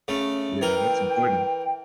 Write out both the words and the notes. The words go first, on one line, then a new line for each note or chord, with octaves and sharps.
Yeah, that's important.
C#3 A3
E3 A#4 G5